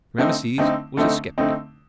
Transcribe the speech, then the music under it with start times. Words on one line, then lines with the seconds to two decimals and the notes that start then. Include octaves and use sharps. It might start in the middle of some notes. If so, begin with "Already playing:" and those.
Rameses was a sceptic.
0.18 D3 A3 C4 D#4
0.58 D3 A3 C4 D#4
0.97 D3 A3 C4 D#4
1.38 D3 A3 C4 D#4